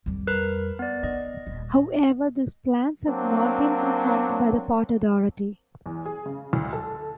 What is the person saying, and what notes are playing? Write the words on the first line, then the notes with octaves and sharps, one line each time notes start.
However, these plans have not been confirmed by the Port Authority.
F2 G3
A#4 B4 F#6
B3 D5
D#4 D#5
D#1
F#3 A#3 C4 D4
E2
G#4
C#3
D2
A4